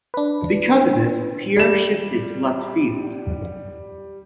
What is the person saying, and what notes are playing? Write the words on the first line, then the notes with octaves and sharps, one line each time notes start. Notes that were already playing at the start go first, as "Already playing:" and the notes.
Because of this, Pierre shifted to left field.
D4 B4
G3 E7